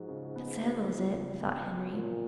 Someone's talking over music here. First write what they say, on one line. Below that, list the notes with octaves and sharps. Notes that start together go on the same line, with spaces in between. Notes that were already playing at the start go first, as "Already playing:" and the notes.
"That settles it," thought Henry.
Already playing: G#2 F3 F#4
C#3
B3
F#4
F3
C#3
B3
F#4
A#2 F3